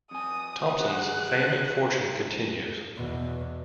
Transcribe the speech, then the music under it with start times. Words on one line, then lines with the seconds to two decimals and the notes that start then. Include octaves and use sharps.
Thompson's fame and fortune continues.
0.11 F2 G#5 D#6
0.80 G4 G#4 F#5 F#6
2.96 E2 B2